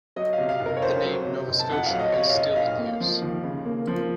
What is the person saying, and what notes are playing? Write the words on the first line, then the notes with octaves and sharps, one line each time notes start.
The name "Novascotian" is still in use.
F#3 D#5
F5
C3
F5
F1
A#4
C#5
F2 C5
F#3
C3
F1
A5
F2 F#5
F#3 F5
D#5
C3 C#5
F5
F1 D#5
F2 F5
A#3
F3
D#2
C#3
A#3
F3